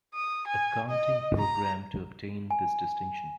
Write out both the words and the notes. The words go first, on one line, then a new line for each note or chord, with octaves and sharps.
Accounting programme to obtain this distinction.
D#6
G#5
D#5
A#5
G#5